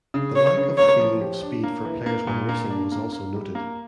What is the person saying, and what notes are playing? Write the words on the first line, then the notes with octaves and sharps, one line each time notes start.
The lack of a feeling of speed for players when racing was also noted.
C#3
C#3 C#5
C#3
A#3 C#5
F3
G4
D4
A#3
E3
A#3
A#2
A#3
D4
A#3
A#3
G3
A#3